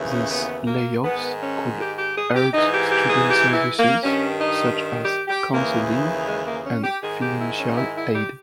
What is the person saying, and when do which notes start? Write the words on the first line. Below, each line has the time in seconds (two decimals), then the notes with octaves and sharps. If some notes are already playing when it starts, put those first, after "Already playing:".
These layoffs could hurt student services such as counseling and financial aid.
Already playing: D#2 C#3 E3
0.11 C#4
0.30 B3
0.67 A#3
1.04 G#2 D#3 B3
1.42 C#4
1.79 G4
1.98 G4
2.16 G#4
2.35 G4
2.53 G#2 E3 D#4
2.73 G4
2.91 G4
3.10 G#4
3.29 G4
3.53 E4
3.78 A#3
4.03 G2 D#3 C#4
4.40 D#4
5.03 G4
5.28 G4
5.53 D#2 C#3 E3 A#3
6.27 G#3
6.46 A#3
6.65 C#4
6.83 G4
7.02 G#2 D#3 G#4
7.20 G4
7.39 E4
7.59 C#4
7.77 E4
7.96 E4
8.14 G4